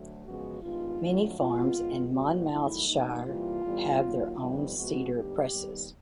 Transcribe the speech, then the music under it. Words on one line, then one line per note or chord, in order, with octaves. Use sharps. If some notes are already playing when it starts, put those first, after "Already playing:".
Many farms in Monmouthshire have their own cider presses.
Already playing: D2 F#3 A3
F#2 C#3 F3 G#3 B3 F#4
G2 D#3 G#3 B3 F4
F2 D3 F#3 A3
B2 G#3 B3 F4
F#2 D#3 G#3 B3
A#2 G3 A#3 F#4
G2 D#3 F#3 A3 E4
B2 G3 A#3 D#4
C3 E3 G3 A#3 F4
A2 E3 G3 B3
D#2 D#3 F#3 A#3
F2 C3 D#3 G3 B3
C3 F3 G#3 B3 F#4
D#2 D3 G3 B3 G4
D#2 D#3 G3 B3